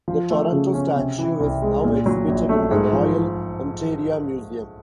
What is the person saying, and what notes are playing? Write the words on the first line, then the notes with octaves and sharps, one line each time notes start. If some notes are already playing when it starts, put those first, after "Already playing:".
The Toronto statue is now exhibited in the Royal Ontario Museum.
F3
A3
C#3
C#4
C3
E3
C2
G#3
A#2
F#3
A#1
A3
G#2
F3